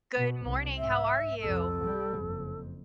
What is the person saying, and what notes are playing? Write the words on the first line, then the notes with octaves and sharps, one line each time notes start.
Good morning. How are you?
B2
C2
G#2 E5
C2 F2 A4
G3
F#1 F2